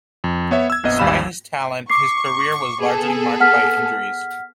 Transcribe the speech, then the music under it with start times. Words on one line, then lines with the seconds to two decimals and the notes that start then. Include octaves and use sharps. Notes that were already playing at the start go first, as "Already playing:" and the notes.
Despite his talent, his career was largely marked by injuries.
0.24 F2
0.51 B3 C#5 E5
0.70 E6 G#6
0.84 A#1 F2 B3 D#5
0.99 G#1 D#2 G3 F5 B5 E7
1.90 C#6 D6 C7
2.80 B3 G#4 A4
3.40 F#5 F6 B6